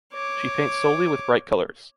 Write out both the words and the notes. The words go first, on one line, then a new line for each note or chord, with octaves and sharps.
She paints solely with bright colors.
C#5 D6